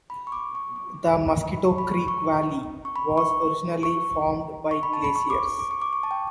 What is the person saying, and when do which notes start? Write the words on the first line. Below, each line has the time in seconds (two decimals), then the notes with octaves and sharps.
The Mosquito Creek Valley was originally formed by glaciers.
0.10 B5
0.27 C#6
0.32 D6
0.55 C#6
0.76 D6
1.52 B5
1.65 C#6
1.78 B5
1.93 C#6
2.08 C#6
2.85 C#6
2.96 B5
3.18 C#6
3.83 C#6
4.71 C#6
4.83 B5
4.93 A5
5.04 B5
5.16 C#6
5.30 D6
5.45 C#6
5.59 D6
5.71 C#6
5.82 D6
5.93 C#6
6.03 A5
6.11 G5